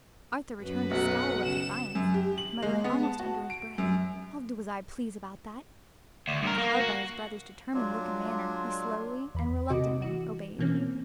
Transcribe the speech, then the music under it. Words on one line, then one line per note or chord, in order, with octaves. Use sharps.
Arthur returned a scowl of defiance, muttering almost under his breath, "I'll do as I please about that;" but cowed by his brother's determined look and manner, he slowly and reluctantly obeyed.
F#2 F#4 B4
B1 F#3 F#5
C#3 E7
F#2
G4
F#7
G#3
B3
A5
F#4
D7
F#2
D2
G2 A#4
A#3
F#4
F#3 G#3 D4 F4
E2 B5
C2 C3 F#4 D#5 D6
E3 F#4
B2 E3 A#3 C4 C#4